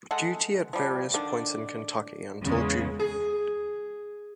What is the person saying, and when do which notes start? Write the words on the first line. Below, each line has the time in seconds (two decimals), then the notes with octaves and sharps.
Duty at various points in Kentucky until June.
0.11 G#3 A4 F#5
0.73 F3 G3
1.14 D3 D#3 D4
2.42 E2 C#3 G#3
2.99 G#4